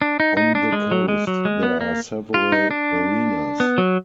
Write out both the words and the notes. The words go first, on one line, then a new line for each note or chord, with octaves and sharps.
On the coast there are several marinas.
D4
D#4
D#4
D4
G#3
F#3
G#3
F#3
G#3
B3
A#3
F4
D#4
D4
B3
F#3